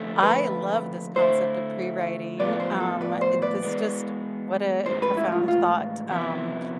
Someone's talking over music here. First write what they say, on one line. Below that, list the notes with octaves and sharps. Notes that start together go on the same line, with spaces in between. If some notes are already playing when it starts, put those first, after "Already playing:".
I love this concept of prewriting. Um, uh, this just what a profound thought, um,
Already playing: F2 D3 A3
B4
D3 A3 E4 C5
A2 F3 B3 F4 B4 D5
C5
A4
B4 D5
C5
B4 D5
E3 G#3 B3
A2 E3 G#3 C5
B4
E4
F4
F4
C3 F3 B3 E4